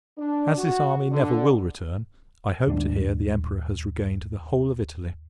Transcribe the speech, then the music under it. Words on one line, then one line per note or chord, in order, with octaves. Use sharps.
As this army never will return, I hope to hear the Emperor has regained the whole of Italy.
D4
F#4
D3
D#1 G#1 D4